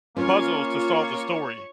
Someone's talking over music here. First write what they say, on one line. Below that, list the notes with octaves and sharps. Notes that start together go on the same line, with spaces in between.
puzzles to solve the story.
A#3 C#4 F4 C#5